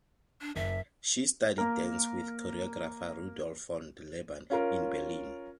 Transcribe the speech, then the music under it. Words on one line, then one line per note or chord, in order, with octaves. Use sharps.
She studied dance with choreographer Rudolf von Laban in Berlin.
D4
F#1 E5
A#3 A#4
C#4 F4 A#4